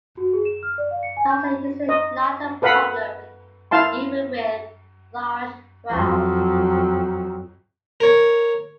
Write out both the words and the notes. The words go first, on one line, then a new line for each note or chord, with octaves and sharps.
Lines are usually not a problem even with large crowds.
F#4
G#4
E7
F6
D5
F5
C#7
G#5
G6
B5
D#5
A4 B4 F5 F#5 B5
E4 F5 A5 C6
F2 F#3
A#4 C#5